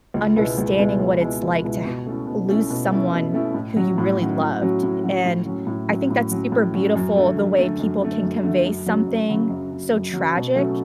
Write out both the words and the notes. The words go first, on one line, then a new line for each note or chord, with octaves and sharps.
understanding what it's like to ha lose someone who you really loved, and I think that's super beautiful the way people can convey something so tragic
C#2
B2 G#3 B3 E4
C#2
B2 G#3 B3 E4
C#2
B2 G#3 B3 E4
C#2
B2 G#3 B3 E4
B2
A3 C#4 E4
B2
A3 C#4 E4
B2
A3 C#4 E4
B2
A3 C#4 E4
A2
F#3 C#4 F#4
A2
F#3 C#4 F#4
A2
F#3 C#4 F#4
A2
F#3 C#4 F#4
A2
F#3 C#4
A2
F#3 C#4
A2
F#3 C#4
A2
F#3 C#4
F#2
D3 A3
F#2
D3 A3
F#2
D3 A3
F#2
D3 A3
F#2
C#3 F#3
F#2
C#3 F#3
F#2
C#3 F#3
F#2
C#3 F#3
B2
F#3 A3 C#4 F#4